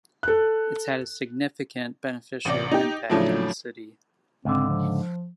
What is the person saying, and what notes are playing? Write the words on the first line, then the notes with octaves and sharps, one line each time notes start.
It's had a significant, beneficial impact on the city.
A4 F#6
A1 C3 D5
D#4 G4
A2 C#3 F3 F#3 A3 D4
C#2 G#2 D3 C4
F3